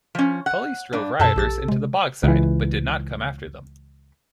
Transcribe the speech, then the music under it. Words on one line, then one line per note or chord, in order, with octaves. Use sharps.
Police drove rioters into the Bogside, but did not come after them.
F3 C#4
F#5
G2 D4
F#2 B2 A4 A5
A#1 G4 A6
C3 G#3
C#2 E3